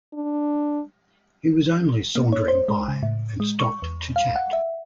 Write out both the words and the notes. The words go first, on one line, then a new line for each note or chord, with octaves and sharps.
He was only sauntering by and stopped to chat.
D4
A#3
C#5
C5
G#3
C#3
A2
G#3
C#6
E2
F5
F#5
E5